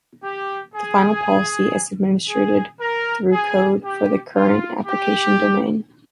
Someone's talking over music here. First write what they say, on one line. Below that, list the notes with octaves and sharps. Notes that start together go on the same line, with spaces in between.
The final policy is administered through code for the current application domain.
G4
G#4
G#4
A#4
G#4
G4
F4
G4